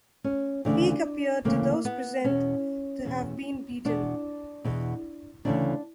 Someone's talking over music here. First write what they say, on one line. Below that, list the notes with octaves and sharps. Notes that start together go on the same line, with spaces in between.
Peak appeared to those present to have been beaten.
C#4
D2 C#3 E3 D4
D2 C#3 E3 A#3
B3
E2 B2 C#4
E2 B2
E2 B2 D4
E2 B2
D2 C#3 E3 D4